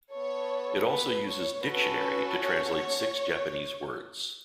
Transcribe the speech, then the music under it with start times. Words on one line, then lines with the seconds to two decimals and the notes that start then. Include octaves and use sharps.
It also uses "dictionary" to translate six Japanese words.
0.12 B3 A4 C#5
0.88 B4
1.26 C#5
1.63 C#4 F#4 A4 B4
2.38 C#5